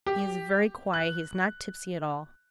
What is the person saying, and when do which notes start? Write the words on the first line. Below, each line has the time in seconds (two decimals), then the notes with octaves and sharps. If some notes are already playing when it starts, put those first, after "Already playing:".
He is very quiet--he is not tipsy at all.
0.07 G4
0.94 F#6